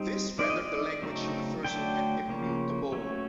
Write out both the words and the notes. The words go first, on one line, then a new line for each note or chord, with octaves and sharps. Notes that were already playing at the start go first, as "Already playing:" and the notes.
This rendered the language universal and immutable.
Already playing: G3 C4 D#4 C5
E3 G#3 C4 D#4 D5
D#5
D5
C#3 F#3 A3 C4 D#4
D3 F#3 A3 D4 G5
C#3 F3 A#3 C#4
F#3 A3 C#4